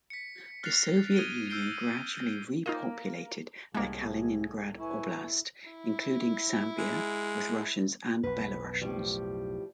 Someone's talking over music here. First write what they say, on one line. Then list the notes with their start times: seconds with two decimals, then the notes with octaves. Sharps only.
The Soviet Union gradually repopulated the Kaliningrad Oblast, including Sambia, with Russians and Belarusians.
0.10 B6 C#7
0.63 F6 F#6 A6 A#6 C7 F7
1.16 D#6 G#6 A#6 D7 D#7 G7
1.50 E6 F6 G6 C7 D7 G7
2.66 A#3 D#4 F4 A#4 D#5 A#5
3.74 C2 A2 G#3 A#3 G#4
4.79 E4 B4 G#5 C#6
5.71 E4
6.78 G#3
8.23 B1 F2 B4
8.81 A2 F3 G3